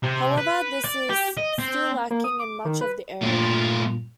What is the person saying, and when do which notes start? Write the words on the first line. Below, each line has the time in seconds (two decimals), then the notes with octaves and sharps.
However, this is still lacking in much of the area.
0.03 C3
0.38 B4
0.84 D5
1.09 G4
1.37 D#5
1.59 C4
2.11 A#3
2.24 D#6
2.40 D6
2.65 D#3
2.81 B4
3.23 G2 A#2 A3 F4